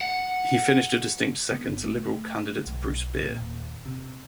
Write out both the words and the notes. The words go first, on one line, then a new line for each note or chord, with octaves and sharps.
He finished a distant second to Liberal candidate Bruce Beer.
F#5
B3
G1
A3
B1
A#2
D#1
C3